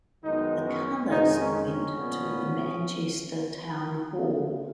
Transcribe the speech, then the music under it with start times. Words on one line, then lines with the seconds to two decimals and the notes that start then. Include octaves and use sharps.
The colours went to the Manchester Town Hall.
0.23 F#2 D#3 G#3 B3 D#4
0.66 C#4
1.08 F2 D#3 G#3 D#4
1.37 C#4
1.66 C#4
1.94 A#2 F3 B3